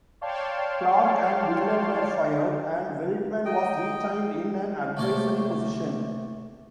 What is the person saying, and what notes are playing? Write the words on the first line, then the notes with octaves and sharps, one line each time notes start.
Clark and Bullen were fired, and Veltman was retained in an advisory position.
C#5 D5 F5 G5 A5 C6
D#5 G5
A2 C3 A#3 C#5 A5 C6